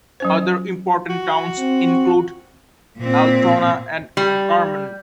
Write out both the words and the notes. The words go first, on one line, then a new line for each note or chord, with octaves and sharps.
Other important towns include Altona, and Carman.
F#3 C#4 C5
F#4
C4
A#2 C4
G3